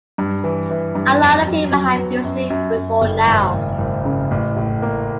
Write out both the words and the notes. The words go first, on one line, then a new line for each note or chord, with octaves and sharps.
A lot of people have used it before now.
G2
E3
E3
G2
F2
F#3
F#3
B3
F#2
F#2
F#2
F#1
G#1
G#1
G#1
C#3
A1
A2
A#3